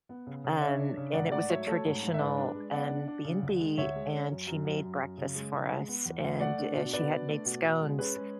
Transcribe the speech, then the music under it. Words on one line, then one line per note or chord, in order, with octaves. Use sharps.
Um, and it was a traditional, um, BnB, and she made breakfast for us, and, eh, she had made scones,
B3
C#3
C#3
D4 C#5 E5
D4
C#3
G#2 D5 F#5
A3 D5 F#5
F#3 C#5 E5
A3 A4 C#5
G#2
G#2
E5
G#2 B4 D5
D4
G#3
B3 D5 F#5
D4
D4
C#3
D2
G#3
D2 C#5 E5
G#3
C#4
F#2
F#2
F#2
F#2
F#2
C#3
G#3
C#3
G#3
B3
E2
E2
A3 D5 F#5
D4
B2
B2 B4 D5
D4
A3
B2
B2
G#3
C#4 G#4 B4
G#3